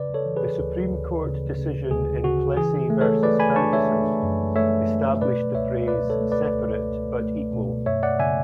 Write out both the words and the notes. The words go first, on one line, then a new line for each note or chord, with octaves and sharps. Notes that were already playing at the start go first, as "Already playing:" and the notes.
The Supreme Court decision in "Plessy versus Ferguson" established the phrase "separate but equal".
Already playing: C#3 B4 D5
A4 C#5
E3
G#4 B4
D2
D2
C#3
C#3
D2 G#4
C#3 F#4
E3 G#4
A3
A4 C#5
A3 B4 D5
G#5 B5
D4 A5 C#6
C#5 E5
A3
F#2
A3 C#5 E5
A3
B2 B4 D5
C#2 C#5 E5
B2 B4 D5
A4 C#5
A3
B4 D5
C#2
C#2
A3
B2
F#2 C#5 E5
D5 F#5
C#3 E5 G#5